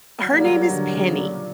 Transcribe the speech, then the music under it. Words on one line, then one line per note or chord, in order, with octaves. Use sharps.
Her name is Penny.
F#3
A#3
G3
F#3
D3
C#3
A#2